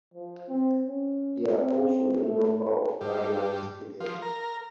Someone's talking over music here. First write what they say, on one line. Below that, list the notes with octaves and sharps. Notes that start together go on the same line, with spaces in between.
There are also a number of guidelines stated.
F3
C4
C#4
C4
A3
G2
F3
A#4